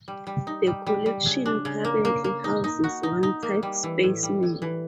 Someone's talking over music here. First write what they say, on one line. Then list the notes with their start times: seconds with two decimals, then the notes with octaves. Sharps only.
The collection currently houses one type specimen.
0.08 G3
0.27 G3
0.47 D#4
0.67 G3
0.87 G3
1.06 G3
1.25 C#3
1.46 D4
1.65 C#3
1.85 A#3
2.05 A#3
2.24 A#3
2.44 D#4
2.64 D#4
2.84 F#4
3.03 D#4
3.23 D#4
3.43 A#3
3.63 G3
3.83 E3
4.03 A2
4.23 G3
4.43 A2
4.62 E3